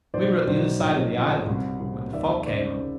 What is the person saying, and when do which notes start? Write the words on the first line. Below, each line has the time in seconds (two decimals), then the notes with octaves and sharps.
We were at the other side of the island when the fog came up.
0.14 B1 C5 D5
0.47 B1 C5 D5
0.80 A#1 C#5 D#5
1.13 A#1
1.46 C2
1.80 C2
2.13 D#2 D5 E5
2.46 C#3 C5 D5